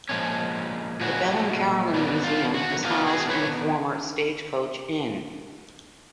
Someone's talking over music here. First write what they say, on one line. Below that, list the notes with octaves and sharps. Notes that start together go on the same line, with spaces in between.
The Bell and Carillon Museum is housed in a former stagecoach inn.
A#2 F3 G#3 C#4
A#2 F3 G#3 C#4 F#4
D#3 F#3 B3 D4
F4
F#4
D#3 F#3 B3 D4 F4 G4
F#4 G#4
B4 C#5